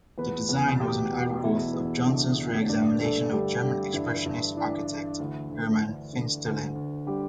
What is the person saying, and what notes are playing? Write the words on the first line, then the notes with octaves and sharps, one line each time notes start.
The design was an outgrowth of Johnson's reexamination of German expressionist architect Hermann Finsterlin.
E2 B3 B4
E2
B2 G4 G5
B2
E2 E4 E5
E2
D3
D3
G2 D4 D5
G2 A3 A4
D3 G3 G4
D3 G3 G4
G2 E3 E4
G2
E3 D4
E3
D2 E3 E4
D2
D3
D3
D2
D2
D3 G3 G4